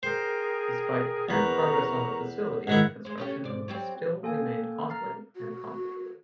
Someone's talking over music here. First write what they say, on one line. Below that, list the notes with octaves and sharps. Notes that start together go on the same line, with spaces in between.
Despite apparent progress on the facility, construction still remained costly and complicated.
G#4 A#4 C5 G5
E2 A#4 B4 A#5 C#6
G#2 D#3 E4 F#5 G#6
G#3 C5
A3 C#4 G4
G#2 D5
F#3 G3 C4
A#3 A4 G5 G#5
A#5 F6 A6 C7
F#4